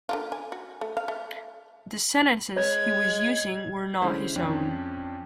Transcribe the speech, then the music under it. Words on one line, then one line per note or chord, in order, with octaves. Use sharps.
The sentences he was using were not his own.
D3 A#3 F4
G#5
F#4
A3
F5
A3
G#3 C#5 G#6
D3 G#3 C#4 E4 C5
F2 C#4 D4 G5